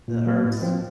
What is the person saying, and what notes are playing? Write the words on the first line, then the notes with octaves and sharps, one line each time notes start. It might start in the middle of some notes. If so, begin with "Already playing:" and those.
the Earth's
A#2
F#3 A#3
A2
F3 C4 F4